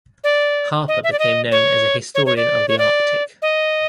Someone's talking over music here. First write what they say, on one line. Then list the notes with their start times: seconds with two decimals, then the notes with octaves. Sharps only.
Harper became known as a historian of the Arctic.
0.24 D5
0.88 D#5
1.04 E5
1.12 D5
1.19 D#5
1.52 C#5
2.15 C#5
2.26 C#5
2.36 D5
2.68 C#5
2.78 D5
3.42 D#5